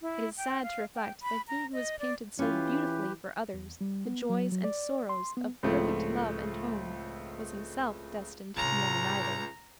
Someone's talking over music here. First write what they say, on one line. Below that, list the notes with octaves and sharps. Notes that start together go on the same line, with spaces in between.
It is sad to reflect that he who has painted so beautifully for others the joys and sorrows of perfect love and home, was himself destined to know neither.
E4
G5
F5
G5
B5
A#5
D#5
D5
E3 C#4 F4 G4 B4
E2
G3
B3
F#3
F#3
D5
C6
B3
C#2 A2 F3 A3 C4
C#2 G#2 C3 A#5